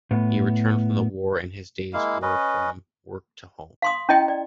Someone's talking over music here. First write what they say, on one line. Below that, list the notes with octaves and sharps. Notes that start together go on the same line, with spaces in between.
He returned from the war and his days were from work to home.
A2 B3
G#3 A#3 E4 F5
C#4 B4 D#5
F5 C6 D#6
C#4 E4 D#5 G5
D5